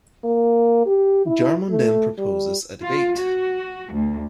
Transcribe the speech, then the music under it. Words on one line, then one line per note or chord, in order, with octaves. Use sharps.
Jarmon then proposes a debate.
A#3
G4
E4
A3
G3
F4
F#4
D2